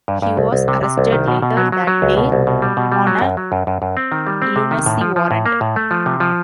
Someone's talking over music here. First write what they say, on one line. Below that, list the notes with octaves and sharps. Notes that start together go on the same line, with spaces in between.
He was arrested later that day on a lunacy warrant.
G2
G2
C2
C2
C3
C3
C2
D#3
B2
B2
F#3
F#3
F#3
C#2
B2
C2
B2
G3
B2
G3
F#3
F#2
F#3
F#2
F#2
F#2
C4
D#3
G3
C4
C3
D#3
A2
F3
F3
A2
A#3
A2
A3
F3
C3
F3